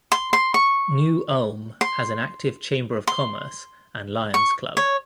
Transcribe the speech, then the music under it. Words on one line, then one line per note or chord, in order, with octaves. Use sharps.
New Ulm has an active Chamber of Commerce and Lions Club.
C6
C6
C#6
C6
C6
C#6
C#5